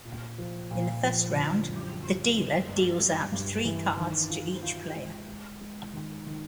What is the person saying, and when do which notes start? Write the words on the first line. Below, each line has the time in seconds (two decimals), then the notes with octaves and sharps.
In the first round, the dealer deals out three cards to each player.
0.05 A#2
0.38 F3
0.71 A#2
1.03 F3
1.36 D3
1.69 F#2
2.01 F#3
2.34 B3
2.67 G2
2.99 G2
3.32 G2
3.65 E3
3.97 D#3
4.30 F4
4.63 F4
4.95 G#3
5.28 G#3
5.61 G#3
5.93 D#3
6.27 D#3